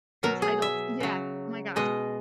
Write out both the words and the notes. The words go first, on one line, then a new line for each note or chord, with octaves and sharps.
Entitled, yes, oh my gosh.
B2 F#3 A#4
G#4
E5
C#3 F#3
B2 G#3 D#5